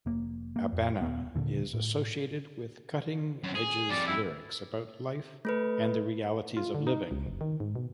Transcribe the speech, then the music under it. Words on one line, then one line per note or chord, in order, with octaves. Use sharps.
Abena is associated with cutting edges lyrics about life and the realities of living.
F1 A#3
A#3
F2
D#1 B3
D#2 A#2 D3
A2
F#2 C4
G#4
F2 G3 D5
E4
A3 A4 B4
F4
D3
D#4
C#2
F#1
D#3
G#2
B2